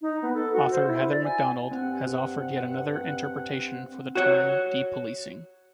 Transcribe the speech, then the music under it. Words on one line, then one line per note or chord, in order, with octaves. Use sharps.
Author Heather Mac Donald has offered yet another interpretation for the term de-policing.
D#4
B3
A4
F#4
C5
E4
D5
G#5
G2 C4 F#5
F#4 C#5